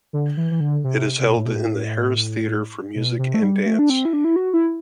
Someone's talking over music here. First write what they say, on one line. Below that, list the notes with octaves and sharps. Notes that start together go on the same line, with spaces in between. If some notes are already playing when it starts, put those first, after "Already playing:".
It is held in the Harris Theater for Music and Dance.
D3
E3
E3
D3
C3
C3
B2
A2
B2
A2
B2
C3
A3
G3
A3
D4
C4
E4
D4
E4
F#4
E4